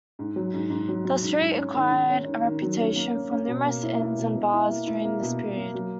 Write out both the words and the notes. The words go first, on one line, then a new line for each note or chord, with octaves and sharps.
The street acquired a reputation for numerous inns and bars during this period.
G#2
F#3
G#2
G#2
F#3
F#3
G#2
G#2
C#4
D#3
D#3
C#4
D#3
D#3
F#3
C#4
A#3
C#4
C#4
B2
A#3
E4
E4
B2
B2
E4
A#3
E4
A#3
B2
B2
A#3
F#3